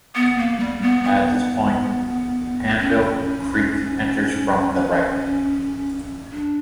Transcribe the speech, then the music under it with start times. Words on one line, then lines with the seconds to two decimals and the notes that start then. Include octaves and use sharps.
At this point, Anvil Creek enters from the right.
0.15 B3
0.37 A#3
0.59 G3
0.81 B3
1.03 B3
2.80 C#4
6.31 D4